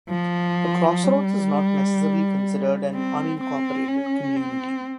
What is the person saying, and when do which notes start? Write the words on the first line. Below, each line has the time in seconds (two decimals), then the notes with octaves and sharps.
A crossroads is not necessarily considered an unincorporated "community".
0.09 F3
1.04 G3
2.94 C4
3.41 C4
3.88 C#4
4.37 C4